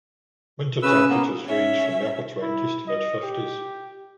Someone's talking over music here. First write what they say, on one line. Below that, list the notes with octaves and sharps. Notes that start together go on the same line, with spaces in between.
Winter temperatures range from the upper twenties to mid fifties.
C#3 C#4 B4 E6
A#3 B3
C#4 E5
E4
D#5
G4